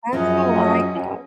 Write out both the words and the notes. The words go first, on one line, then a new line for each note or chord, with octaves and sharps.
That's cool, I like that.
F#2 F3 C#4 F#4 G#4 D#5